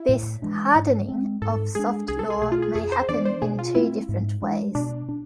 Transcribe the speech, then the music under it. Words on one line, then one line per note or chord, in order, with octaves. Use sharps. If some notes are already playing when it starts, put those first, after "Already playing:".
This "hardening" of soft law may happen in two different ways.
Already playing: E4
A2
E3 G#3 D4
G#2
G#3 C4
G#2 A4
G#3 D4 G#4
C2 G#4
A4
G#4
B2 A3 G#4
F4
G#4
F2 G#4
C5
E3 B3 D4 D5
C5
B2 G#4
F4
A3 C4 E4
G#2
G#3 D4
B2 D4
D4